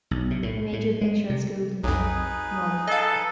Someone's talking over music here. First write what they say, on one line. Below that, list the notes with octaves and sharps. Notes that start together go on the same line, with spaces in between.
I made you a picture at school today, Mum.
B1
C3
A2
A2
G#3
C3
B1 F2 D#4 G#4 B4
A4 D#5 F5